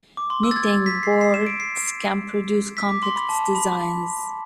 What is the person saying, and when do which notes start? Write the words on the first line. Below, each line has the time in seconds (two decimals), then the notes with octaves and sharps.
Knitting boards can produce complex designs.
0.17 D6
0.30 C6
0.43 E6
0.51 A6
0.56 G#6
0.69 A6
0.86 B6
1.03 C7
1.21 C7
1.34 E7
1.47 D7
1.60 C7
2.77 B6
2.89 D6
3.03 C6
3.16 B5
3.29 A5
3.55 B5